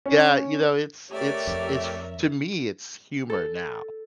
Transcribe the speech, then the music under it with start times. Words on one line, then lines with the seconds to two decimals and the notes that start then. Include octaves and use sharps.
Yeah, you know, it's it's it's to me, it's humor, now,
0.06 C#4
1.11 A3 G4 A#4 C#5 D5 E5
1.47 F2
3.30 A4